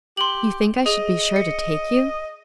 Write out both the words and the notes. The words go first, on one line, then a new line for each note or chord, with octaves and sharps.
"You think I should be sure to take you."
G4 C6 F#7
G#4 D#5
C#7